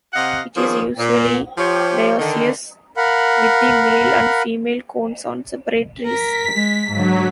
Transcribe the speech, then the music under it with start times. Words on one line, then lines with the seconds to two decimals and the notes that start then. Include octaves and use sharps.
It is usually dioecious, with the male and female cones on separate trees.
0.14 C3 D#5 F5 F#5
0.56 D#3 F3 G3 A#3 C#4 G#4
0.99 A#2
1.58 F3 G4 C#5
2.19 D3 D#3
2.97 A#4 F5 F#5 B5
6.06 A#4 B6
6.53 G#3
6.92 G#2 D3 F#3